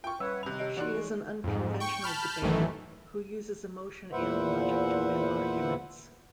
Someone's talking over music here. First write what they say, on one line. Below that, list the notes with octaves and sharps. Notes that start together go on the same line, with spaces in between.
She is an unconventional debater who uses emotion and logic to win arguments.
F4 G5 C#6
G3 B4 C#5 F#5 E6
C3 D#3 B5 F#6 F7
G4 D#5 D7
E3 D#4 F#4 D5 C#6 F#6
G#3
F2 G#2
G5 C#6
A5 B5 F6 G6
A1 F#2 D#3 E3 A3
E2 A#2 B4 C5 E5 F#5